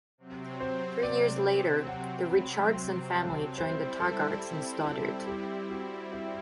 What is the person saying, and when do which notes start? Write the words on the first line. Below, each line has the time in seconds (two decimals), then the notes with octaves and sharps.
Three years later, the Richardson family joined the Taggarts in Stoddard.
0.18 C3 F#3 C4
0.60 C5
1.03 D5
1.88 F#5
2.30 B5
2.73 C6
3.16 A5
3.57 G3 C4 E4 C5
4.00 A4
4.85 A4
5.27 G4
5.70 F#4
6.13 E4